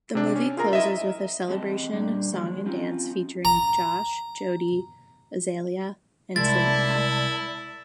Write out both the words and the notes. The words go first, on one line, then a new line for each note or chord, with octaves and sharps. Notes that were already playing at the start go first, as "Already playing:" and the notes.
The movie closes with a celebration song-and-dance featuring Josh, Jodie, Azalea and Selena.
C3 D4
C#4
F4 G#4 A#4 A#5
E4 D#5 E5
E2 G#3 C4 G4 D#5 A5
A#2 G3 A#3 D4
D#3 F3 F#3 G#3
F3 C4 C#4 D#4 F4
A#5
C2 G#3 E4 A#4 D5 A5 A6